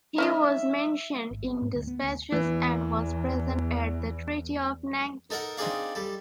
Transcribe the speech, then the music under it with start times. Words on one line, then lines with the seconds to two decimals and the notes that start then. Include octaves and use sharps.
He was mentioned in despatches and was present at the Treaty of Nanking.
0.18 C#4 D#4 D#5 E5
1.31 G#1
1.44 C4
1.62 G#2
1.75 D2
1.87 B3
2.03 D2
2.32 E2 E3
5.30 D#4 A4 A#4 F#5 A#5
5.58 C4 D4 D#4 G#4 D5 F5
5.95 G3 A4